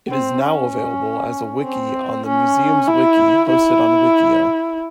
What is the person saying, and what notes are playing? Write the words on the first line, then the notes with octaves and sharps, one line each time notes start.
It is now available as a wiki on the "MuseumsWiki", hosted on Wikia.
C4
C#4
C4
C#4
E4
E4